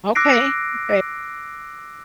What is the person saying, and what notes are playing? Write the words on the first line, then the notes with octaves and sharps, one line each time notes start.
Okay, okay.
D6 E6 F#6 A#6 C7 D7